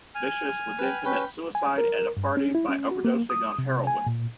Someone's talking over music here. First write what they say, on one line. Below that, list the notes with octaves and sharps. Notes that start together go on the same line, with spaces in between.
Vicious would then commit suicide at a party by overdosing on heroin.
G#5 F6
B4 G5
C#4 B4 G5 B5
G#5
A#4
G2
C#4
E4
C#4
F#4
A#3
D#6
C3
G#5
A#2